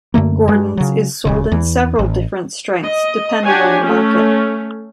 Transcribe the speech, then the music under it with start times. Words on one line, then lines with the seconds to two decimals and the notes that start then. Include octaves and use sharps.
Gordon's is sold in several different strengths depending on the market.
0.14 F#2 D3 A3 A#3
0.48 G2 G#3
0.77 C#3 F#3
1.25 D1 G1 C#3
1.52 E2 E3
1.99 A1
2.83 D#5
3.46 D4 F#4 G4 C#5 G#5
3.84 A3 C#4